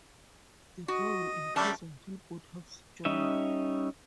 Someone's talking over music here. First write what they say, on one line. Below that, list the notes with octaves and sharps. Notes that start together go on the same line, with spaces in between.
The bar will increase until both halves join.
F#4 D#5
F#2 G3 A3 D4 A5
G3 C#4 D#4 D#5 E5